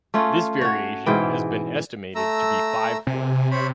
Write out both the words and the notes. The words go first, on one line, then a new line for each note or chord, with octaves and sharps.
This variation has been estimated to be fivefold.
A3 C#4 F4
F#4 C#5
G#2 B2 E3 G5
A3 A#5 E6
C3 G#5
C5 C#5 B5